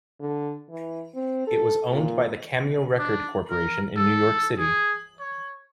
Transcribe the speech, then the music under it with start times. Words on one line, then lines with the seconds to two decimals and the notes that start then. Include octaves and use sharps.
It was owned by the Cameo Record Corporation in New York City.
0.20 D3
0.70 E3
1.15 C4
1.47 A4
1.91 A#2
2.98 D4
3.50 A#4
3.96 A4
4.58 G#4
5.19 C#5